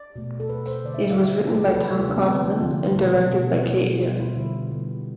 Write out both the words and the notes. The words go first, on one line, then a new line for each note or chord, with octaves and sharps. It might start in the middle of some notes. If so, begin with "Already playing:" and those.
It was written by Tom Kauffman and directed by Kate Herron.
Already playing: D5
B2 A3
A4
B2 A3 B4
C5
D3 A3 D5
E5
F5
D3 A3 E5
C3 F3 A3 D5
A4
B4
C3 F3 A3 G4
F4
D4
B3
D3 F3 A3 C4
D4
D3 F3 A3 F4
B2 G3 B3
B2 G3 B3
B2 G3 B3
B2 G3 B3 F4
E4
D3 G3 B3
D3 G3 B3